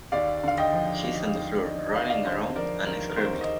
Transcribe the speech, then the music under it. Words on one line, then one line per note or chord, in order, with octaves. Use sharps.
He's on the floor, rolling around and screaming.
D#2 D5 F5
D3 F5
D#5 G5
F3
D#2
D#2
D3
D#2 F5
D#5
D5 F5
D3 C5 D#5
F3 A#4 D5
D#2 A#4
A#4
D#2 C5
D#5